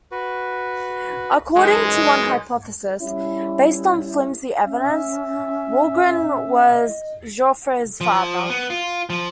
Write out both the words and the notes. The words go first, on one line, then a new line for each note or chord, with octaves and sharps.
According to one hypothesis, based on flimsy evidence, Wulgrin was Jaufre's father.
F#4 B4
F#2 E3 G#3 D#4
G3 C#4 E4
C#4 E5
D#5
F3
B3
F4
F3